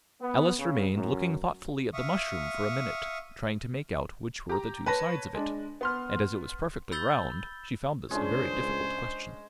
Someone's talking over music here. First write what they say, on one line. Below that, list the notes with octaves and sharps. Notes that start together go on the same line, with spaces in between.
Alice remained looking thoughtfully at the mushroom for a minute, trying to make out which were the two sides of it; and as it was perfectly round, she found this a very difficult question.
B3
C#3
F#2
E5 F5 C#6 D#6
G4 A#5
B4 C#5 A5 B5 A#6
G#3 D4
B3 C6 F6
B5 E6 G6 A6 G7
C#2 G#3 C#4 D4 C5